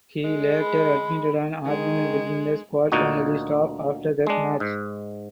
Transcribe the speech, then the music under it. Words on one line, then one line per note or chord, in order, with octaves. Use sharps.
He later admitted an argument between the squad and the staff after that match.
G#3
B5
D#3 G#3
D2 A#2 D#4 F#4
G#3 D4
G#2